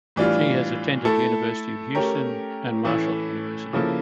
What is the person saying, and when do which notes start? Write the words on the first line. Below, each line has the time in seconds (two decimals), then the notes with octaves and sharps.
She has attended University of Houston and Marshall University.
0.16 A2 E3 G3 D4 F4
1.05 A3 E4 A4
1.95 A3 C#4 G4 A#4
2.84 A2 E3 A3 C#4 E4
3.73 C#3 F3 A#3 E4 A4